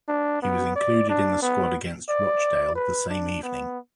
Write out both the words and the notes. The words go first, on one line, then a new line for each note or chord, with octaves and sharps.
He was included in the squad against Rochdale the same evening.
D4
B3
D5
D4
B3
D5
B4
D4
B3